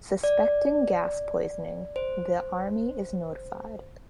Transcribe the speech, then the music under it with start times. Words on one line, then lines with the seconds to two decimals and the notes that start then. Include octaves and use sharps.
Suspecting gas poisoning, the army is notified.
0.24 D5
1.96 C5